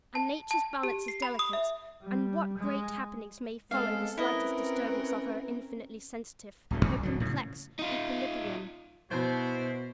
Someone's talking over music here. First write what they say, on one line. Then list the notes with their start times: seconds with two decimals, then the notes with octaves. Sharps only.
And Nature's balance is delicate; and what great happenings may follow the slightest disturbance of her infinitely sensitive, her complex, equilibrium?
0.15 A5
0.51 A5
0.83 G4
1.08 C7
1.22 B5
1.39 D#6
1.53 E5
2.02 G3
2.57 G#3
3.71 G#3 B3 C4 A4 F5
4.18 C4 C#4 E4 A#4 B4 D#5
6.71 D1 D2 A3
6.85 C2
7.03 D1 D3 F#3
7.20 A2 C#3
7.79 D#4 F4
9.10 B2 E4 F#4 C5